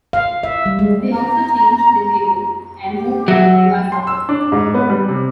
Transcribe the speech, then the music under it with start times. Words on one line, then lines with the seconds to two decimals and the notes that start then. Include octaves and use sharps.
They also changed their label and moved to Riva Sound.
0.13 F5
0.43 E5
0.66 G3
0.79 G#3
1.12 A#5
2.96 G4
3.28 F#3 E5
3.92 C6
4.07 E6
4.29 D4
4.52 G#2
4.74 B3
4.90 G3
5.08 C3